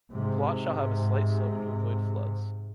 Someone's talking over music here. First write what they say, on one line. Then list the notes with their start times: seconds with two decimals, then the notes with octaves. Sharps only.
The plot shall have a slight slope to avoid floods.
0.11 G#2 C3